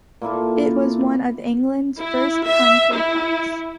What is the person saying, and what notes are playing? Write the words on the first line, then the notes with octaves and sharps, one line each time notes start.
It was one of England's first country parks.
A#2 A#3 E4 A4
E4
E5
E4